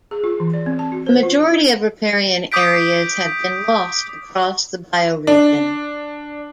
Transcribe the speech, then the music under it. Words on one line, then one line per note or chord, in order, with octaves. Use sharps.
The majority of riparian areas have been lost across the bioregion.
G#4
F4
E3
D5
C4
A5
F#4
C5
F4
D6 D#6 G6 B6 D7
D4